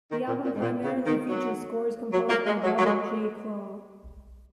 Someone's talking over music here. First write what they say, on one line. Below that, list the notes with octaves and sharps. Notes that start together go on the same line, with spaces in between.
The album primarily features scores composed by Robert J. Kral.
D#3
A#2
A#2
G#2
A#2
C#3
D#3
F#3
F#3
A#3
G#3
F#3
F#3
G#3